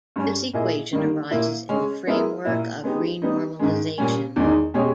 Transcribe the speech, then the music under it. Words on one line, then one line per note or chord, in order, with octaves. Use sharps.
This equation arises in the framework of renormalization group.
G2 G3 C#4
A#2 A#3 E4 G#4 D#5
D#3 G3 A#3
A#2 A#3 E4
C#3 G#3 C#4
G#3 B3 E4 A#4
A#2 A#3 E4
G#3 B3 D#4 G4
G3 B3 D#4
G#2 D#3 G#3
A#2 G3 C#4
E2 D#3 G#3 D#4
B2 G#3 C#4 G4 C#5